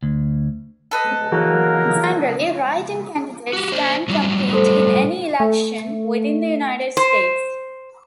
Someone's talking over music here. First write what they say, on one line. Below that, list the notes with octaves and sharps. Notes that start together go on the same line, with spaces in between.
Generally, write-in candidates can compete in any election within the United States.
D2
A4 B4 D#5
E3 F#3 A#3 F#4 G#4 A#4
F#4 G4
D4 C5
A2 F#3 G3
A3 A4 C5
A3
C5